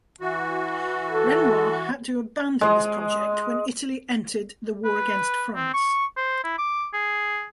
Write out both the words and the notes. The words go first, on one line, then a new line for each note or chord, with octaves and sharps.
Renoir had to abandon this project when Italy entered the war against France.
E3 F#4
A4
G#3 D#5
B4
C4
C#6
C5
E4
D6
G#4